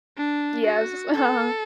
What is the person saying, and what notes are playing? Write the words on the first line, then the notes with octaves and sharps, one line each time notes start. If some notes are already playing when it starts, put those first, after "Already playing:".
Yes. Uh-huh. Sa
D4
F#4
A4